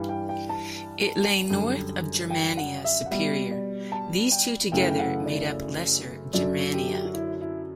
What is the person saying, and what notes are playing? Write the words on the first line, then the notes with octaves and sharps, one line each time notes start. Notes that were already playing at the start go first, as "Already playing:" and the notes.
It lay north of Germania Superior; these two together made up Lesser Germania.
Already playing: G2 E3 G3
G5
G5
A5
F#2 D3 G3
G5
F#5
E5
F#5
B2 G3 E5
D5
A5
G5
F#2 C#3 E3 A3 G5
G5
F#5
D5
F#2 D3 F#3 D5
G4
F#4
E4
E4